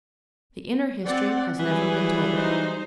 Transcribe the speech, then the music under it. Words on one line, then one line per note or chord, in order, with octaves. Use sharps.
The inner history has never been told.
C4 D5 F#5
E3 F#3 G3 G#4 B4 G#5
D#4 C5